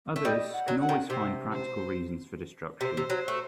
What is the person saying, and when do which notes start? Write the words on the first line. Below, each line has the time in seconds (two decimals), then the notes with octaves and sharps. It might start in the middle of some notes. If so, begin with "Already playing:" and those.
Others can always find practical reasons for destruction.
0.16 A3
0.25 G3 D#5
0.53 F#5
0.68 F#3
0.82 F#5
0.89 D#3
1.10 C3 C5
1.52 C5
2.81 C3 C5
2.97 C3
3.10 F#3
3.28 A3